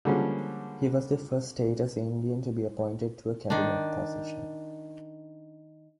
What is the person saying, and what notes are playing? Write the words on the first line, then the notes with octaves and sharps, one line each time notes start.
He was the first Status Indian to be appointed to a cabinet position.
D3 F3 G3 G#3 A#3 C#4
D#3 D4